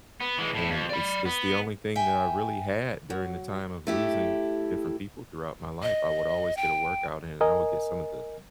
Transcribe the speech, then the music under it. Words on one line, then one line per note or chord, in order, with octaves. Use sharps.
and it's it's the only thing that I really had during the time of losing different people throughout my life. I would always get a workout in, and I would get some of the
B3
E3 G#3
A2 E4
F2
D5 B5
B3
E5 G5 G#5
F#3
A3 E4 G4
D#5
G5
A#4 D#5 G#5